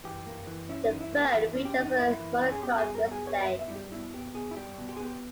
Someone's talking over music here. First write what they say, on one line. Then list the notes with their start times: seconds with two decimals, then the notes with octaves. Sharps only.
The phone features a monochrome display.
0.04 E3 G4
0.26 A#3
0.47 E3
0.69 C#4 E4
0.84 D#4
0.90 E3
1.01 E4
1.12 A#3 G4
1.33 E3 E4
1.55 C#4
1.65 G4
1.76 E3
1.81 D#4
1.97 A#3 E4
2.20 E3
2.42 C#4
2.52 G#4
2.62 B2 G4
2.79 G3 G#4
2.95 A#4
3.05 B2
3.12 G#4
3.27 B3 C#5
3.43 E5
3.49 B2
3.59 E5
3.68 G3 E4
3.76 G4
3.92 B2 E4
4.14 B3 G4
4.34 B2 G#4
4.51 E4
4.56 G3 G4
4.78 B2
4.89 G4
4.97 G#4
5.00 B3 G4